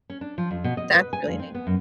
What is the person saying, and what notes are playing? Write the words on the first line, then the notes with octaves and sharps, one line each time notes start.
That's really neat.
C#4
D4
F3
F2
B2
D#5
B4
G#5
F2
C4
B3
F#2